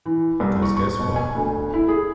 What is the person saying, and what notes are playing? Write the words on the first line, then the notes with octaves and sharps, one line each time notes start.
Because guess what?
E3
C2
C#6
C#6
B2
G#5
D2
E4
G#4